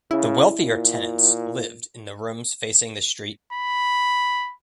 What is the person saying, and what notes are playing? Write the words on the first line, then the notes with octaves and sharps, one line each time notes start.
The wealthier tenants lived in the rooms facing the street.
C#3 E4
A#2
B5